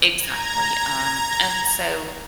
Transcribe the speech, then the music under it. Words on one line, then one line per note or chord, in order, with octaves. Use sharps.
exactly, um, and so,
A#5 G#6